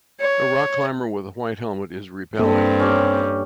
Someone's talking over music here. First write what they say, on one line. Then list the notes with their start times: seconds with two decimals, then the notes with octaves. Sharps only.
A rock climber with a white helmet is repelling.
0.20 C#5
2.39 G2 A#3 C4 A4
2.80 C#4 G4